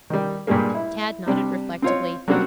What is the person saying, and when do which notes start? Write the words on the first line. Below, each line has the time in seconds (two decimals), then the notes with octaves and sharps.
Tad nodded reflectively.
0.10 D#3 G3
0.47 G2 A#2 G3 G#3 A#3
0.74 E4
1.26 C3 G3 D4
1.82 C4 F4 C#5
2.28 F#3 G3 A#3 C4 D4 F#4